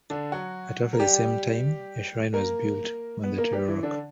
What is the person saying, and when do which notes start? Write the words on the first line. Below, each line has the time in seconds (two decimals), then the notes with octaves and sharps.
At roughly the same time, a shrine was built on the Tyr Rock.
0.10 D3 D4
0.32 F#3 F#4
0.93 A#4
1.00 G3 G4
2.33 A#3 A#4
3.23 B3 B4
3.38 A#3 A#4
3.53 G3 G4
3.68 E3 E4
3.83 D3 D4